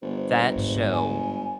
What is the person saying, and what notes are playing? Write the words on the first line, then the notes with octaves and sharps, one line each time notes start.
That show,
G1 C5
G#2 G3
G#5